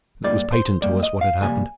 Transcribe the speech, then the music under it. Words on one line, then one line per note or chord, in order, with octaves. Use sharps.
It was patent to us what had happened.
G#2 G3 A#3 D5
C5
G#2 G3 A#3 D5
D#5
F5
F2 C3 G3 A#3 G#5